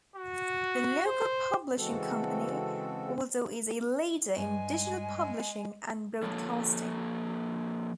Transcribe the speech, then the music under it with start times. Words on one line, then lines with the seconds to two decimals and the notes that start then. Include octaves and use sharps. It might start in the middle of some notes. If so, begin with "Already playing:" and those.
The local publishing company also is a leader in digital publishing and broadcasting.
0.16 F#4
1.06 C5
1.76 C#3 E3 G#3 C4 F#4 A4
4.37 G2 G#3 G#5
6.22 F3 A#3 A4 C#5